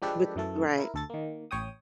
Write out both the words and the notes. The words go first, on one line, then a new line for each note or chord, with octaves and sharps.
With right.
F3 G#3 D4 G4 A4 B4
F#2 E3 A3 A4
E4 A#4
D2 A4 A6
D#3 A#3
A1 C#5 G5 D#6